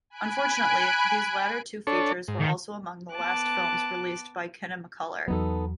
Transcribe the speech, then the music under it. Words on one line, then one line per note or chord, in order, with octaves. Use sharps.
Unfortunately, these latter two features were also among the last films released by Kinemacolor.
G#5 B5 F#6 D7
D4 A4 C#5
G#2
D#3
B3 A5 D6 F#6
E2 F#3 B3 D#4 A4